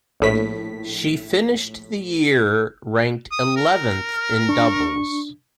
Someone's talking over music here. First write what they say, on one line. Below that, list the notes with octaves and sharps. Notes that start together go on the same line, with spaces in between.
She finished the year ranked eleventh in doubles.
A#1 A2 B6
D#6
A#4
F6
D4 C#6